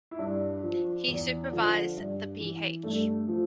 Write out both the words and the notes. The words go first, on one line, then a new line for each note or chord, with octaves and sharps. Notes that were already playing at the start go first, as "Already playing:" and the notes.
He supervised the Ph.
E4
G2 D4
F3
E2
D3 F3
G2
E3
G2 A3
F3